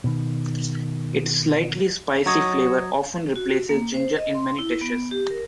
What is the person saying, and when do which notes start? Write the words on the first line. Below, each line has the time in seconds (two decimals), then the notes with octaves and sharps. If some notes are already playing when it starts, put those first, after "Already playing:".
It’s slightly spicy flavor often replaces ginger in many dishes.
0.04 B2 D#3
2.26 F#3 C#5 D#5
3.36 F#4
3.69 A#3
3.94 C5
4.16 D#5
4.35 C6
4.59 E4
4.81 B3
5.11 G4
5.30 A#4